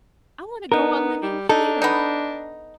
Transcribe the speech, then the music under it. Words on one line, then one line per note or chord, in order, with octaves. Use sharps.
I want to go on living HERE.
B3 D#4 A#4
G3
D4 D#4 A4
B3 D#4